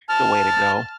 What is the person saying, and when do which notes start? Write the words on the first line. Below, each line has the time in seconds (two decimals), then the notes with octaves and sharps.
the way to go,
0.09 A5 F6